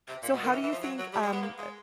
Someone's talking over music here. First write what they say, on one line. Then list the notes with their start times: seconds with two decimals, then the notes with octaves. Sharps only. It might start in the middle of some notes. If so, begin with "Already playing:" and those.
So how do you think, um, eh,
0.08 C3
0.23 A#2
0.33 B2
0.43 D#3
0.53 E3
0.63 E3
0.72 F3
0.82 F#3
0.98 F#3
1.13 G3
1.22 G#3
1.33 B3
1.42 A#3
1.58 G#3